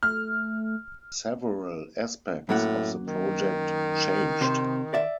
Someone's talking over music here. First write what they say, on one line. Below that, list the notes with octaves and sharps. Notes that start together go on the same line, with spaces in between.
Several aspects of the project changed.
A3 F6
F#2 A2 A#3 F#5
D#3
C3 C5
D5 E5